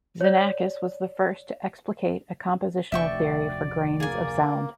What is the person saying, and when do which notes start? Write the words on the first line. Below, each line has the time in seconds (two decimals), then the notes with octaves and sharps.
Xenakis was the first to explicate a compositional theory for grains of sound.
0.21 C#5 D5
2.92 F1 D2 F#4 D5 E5 G5 C#6
4.00 A#3 G#4 G#5